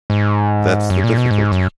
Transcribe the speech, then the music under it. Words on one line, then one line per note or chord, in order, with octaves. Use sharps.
That's the difficulty.
G#2
F#2
A#2
B2
G#2
F#2